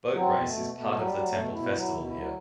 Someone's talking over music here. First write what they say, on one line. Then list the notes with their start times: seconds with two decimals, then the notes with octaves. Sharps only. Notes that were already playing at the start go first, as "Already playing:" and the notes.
Boat race is part of the temple festival here.
0.13 F#3
0.20 C4
0.33 B2
0.46 A3
0.53 B2
0.73 B2 A3
0.94 F#3
1.00 G3
1.14 F#3
1.27 A3
1.33 B2
1.53 B2 E4
1.74 F#3
1.81 E4
1.94 B2
2.07 E4
2.14 F#3